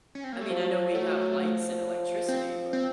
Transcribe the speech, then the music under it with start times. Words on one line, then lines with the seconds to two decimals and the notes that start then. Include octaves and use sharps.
I mean, I know we have lights and electricity, but
0.15 C#4
0.24 C4
0.33 A#3
0.41 A3
0.50 F3 F#3
0.94 F#3 A3
1.40 F3
2.29 C4
2.73 C4